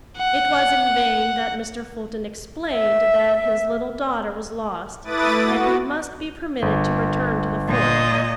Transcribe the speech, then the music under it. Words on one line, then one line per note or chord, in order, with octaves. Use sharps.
It was in vain that Mr. Fulton explained that his little daughter was lost, that he must be permitted to return to the fort.
F#5
E5
A3 E4 B4 D6 D#6 A6
F#4
G1
A#2 D#5